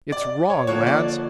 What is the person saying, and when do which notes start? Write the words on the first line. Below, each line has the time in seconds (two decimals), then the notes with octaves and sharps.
"It's wrong, lads!"
0.12 D5
0.50 C#5
0.67 D3 F3 A#3 C#5
0.86 D5